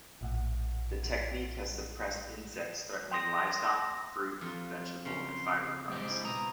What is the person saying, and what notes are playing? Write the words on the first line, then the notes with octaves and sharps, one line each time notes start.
The technique has suppressed insects threatening livestock, fruit, vegetable, and fiber crops.
A#1 A2 F#5
G5 C6 D#6 A#6
F2 F4
C#3 C6
G#3 G4 C5 D#5
E4
B2 A#5 D#6